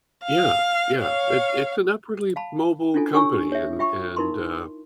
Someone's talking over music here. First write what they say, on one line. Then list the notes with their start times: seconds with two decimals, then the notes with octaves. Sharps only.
Yeah, yeah, it it's an upwardly mobile company, and and, uh,
0.24 F5
0.99 C#5 F5
2.36 F5 A5 B5
2.94 C#4 D4 E4 F4 A4 G#5
3.13 D4 G4 C#5 G#5 C#6 E6
3.52 C#5 E5
3.79 F4 E5 G5 B5 C#6
4.16 D#4 E4 A#4 B5 C6